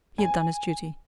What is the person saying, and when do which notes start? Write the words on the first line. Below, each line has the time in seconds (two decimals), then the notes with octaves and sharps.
He had done his duty.
0.18 G#5